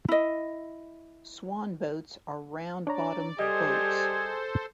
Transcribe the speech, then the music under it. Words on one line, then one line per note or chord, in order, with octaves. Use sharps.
Swan boats are round-bottomed boats.
E4 D#5
D4 C#5 D5 A#5
G3 G#4 A4 C5 D#5